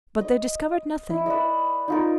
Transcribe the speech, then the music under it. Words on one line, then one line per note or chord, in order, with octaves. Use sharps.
But they discovered nothing.
D#5
E4
B4 D5 D#5
D#4 F4 A#4